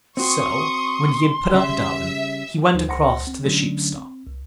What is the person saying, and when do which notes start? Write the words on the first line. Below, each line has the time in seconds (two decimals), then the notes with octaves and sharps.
So when he had put up Dobbin, he went across to the sheep- stall.
0.17 C4 F#4 C5 C6 C#6 D#6
1.54 C#3 G3 E5
2.74 D#2 D#4 C5
2.88 C#2 C5 F#5 C6 A#6 C#7
3.27 C4
3.44 D3 F#3 A3 C#4 D4
3.96 C4
4.27 C2